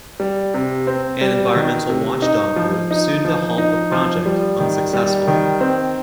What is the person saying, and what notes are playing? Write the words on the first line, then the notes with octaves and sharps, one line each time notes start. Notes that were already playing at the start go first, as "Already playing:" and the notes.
An environmental watchdog group sued to halt the project, unsuccessfully.
G3
C3
C4
G3
D#3
C3
D#4
F3
D#4
F3
D#4
F3
G3
D#3
G3
D#3
C4